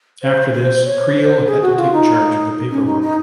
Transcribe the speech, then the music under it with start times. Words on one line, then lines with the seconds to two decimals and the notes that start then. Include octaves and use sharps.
After this, Creel had to take charge of the paperwork.
0.22 C5
0.53 C5
0.85 C#5
1.16 C5
1.47 G#4
1.62 F#4
1.77 F4
1.93 D#4
2.71 C#4
2.86 D#4
3.02 D#4